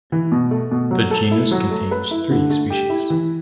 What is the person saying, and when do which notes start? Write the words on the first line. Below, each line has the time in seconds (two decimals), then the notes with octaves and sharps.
The genus contains three species.
0.12 E3
0.32 B2
0.51 A3
0.71 B2
0.91 F#3
1.11 A4
1.31 E4
1.51 F#3
1.71 A3
1.91 B4
2.11 E4
2.31 D3
2.50 A3
2.70 G4
2.90 E4
3.10 E3